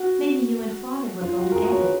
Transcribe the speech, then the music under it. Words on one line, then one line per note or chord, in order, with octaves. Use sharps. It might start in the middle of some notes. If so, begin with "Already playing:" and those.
May be you and father will go together.
Already playing: F#4
F4
F#4
A#4
G#4
F#4
C#5
B4